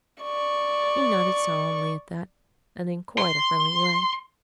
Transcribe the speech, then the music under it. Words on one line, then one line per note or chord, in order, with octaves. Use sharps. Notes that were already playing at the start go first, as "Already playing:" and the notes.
He nodded solemnly at that and in quite a friendly way.
D5 C#6
C6